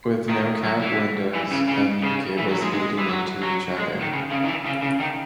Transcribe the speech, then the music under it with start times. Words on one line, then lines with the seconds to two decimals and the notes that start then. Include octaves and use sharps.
With no cab windows and new cables leading into each other.
0.29 D#3
0.64 F#3
0.81 E3
1.34 E3
1.51 C#3
1.68 C#3
2.03 C#3
2.38 E3
2.50 F#3
2.62 G#3
2.73 G#3
2.98 E3
3.09 F#3
3.43 F#3
3.78 G#3
4.01 D#3
4.13 C#3
4.31 C#3
4.43 D#3
4.48 E3
4.66 C#3
4.82 C#3
5.00 D#3